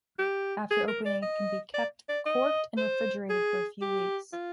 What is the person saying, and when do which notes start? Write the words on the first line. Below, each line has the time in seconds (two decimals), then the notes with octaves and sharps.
After opening, it can be kept, corked and refrigerated, for a few weeks.
0.19 G4
0.71 G#4
0.88 A#4
1.05 D5
1.22 D#5
1.74 D5
2.08 D5
2.26 D#5
2.77 C5
3.30 G#4
3.82 G4
4.33 F4